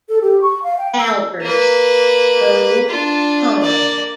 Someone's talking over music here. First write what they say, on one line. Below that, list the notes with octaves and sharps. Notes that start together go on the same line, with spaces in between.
Albers, O. Carm.
A4
G4
C#6
F5
G5
E6
A#3 B4
D4 F4
A#3 D5